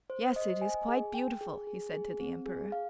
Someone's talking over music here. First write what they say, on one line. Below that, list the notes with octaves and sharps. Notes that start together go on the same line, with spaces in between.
'Yes, it is quite beautiful,' he said to the Emperor.
C5
D#5
G#5
G#4
G5
G#4
G#4
G#4
C4
G#4
F5